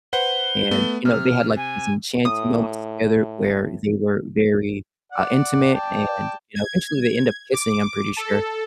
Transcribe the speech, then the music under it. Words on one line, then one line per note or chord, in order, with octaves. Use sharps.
and, you know, they had, like, these enchanting moments together where they were very, uh, intimate and, you know, eventually they end up kissing, I'm pretty sure,
B4 C5 F#5 G7
A3 B3
C3 F6
G#5
A2 D#6
D5 F#5
D5 G5 A5
G#6
D6
A4